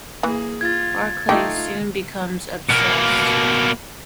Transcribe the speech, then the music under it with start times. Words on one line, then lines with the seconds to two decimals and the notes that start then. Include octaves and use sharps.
Barclay soon becomes obsessed.
0.23 E3 A#3 G#4
0.61 F4 G#6 A6
1.29 A3 D#4 F4 G4
2.69 B2 A#3